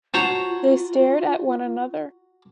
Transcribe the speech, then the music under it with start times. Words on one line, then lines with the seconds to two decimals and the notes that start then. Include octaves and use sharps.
They stared at one another.
0.14 F4 F#4 C5 C#5 A5 A#5